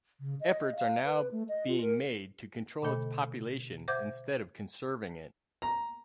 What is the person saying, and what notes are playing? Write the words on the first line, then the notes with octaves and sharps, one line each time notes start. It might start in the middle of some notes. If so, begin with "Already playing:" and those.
Efforts are now being made to control its population instead of conserving it.
C#3
D#5
D#5
F5
B4
A3
D#5
F4
A#4
B2 D3 A3 A4 D#5 B5
C5 E5 F#5 D6 G6 G#6
A#5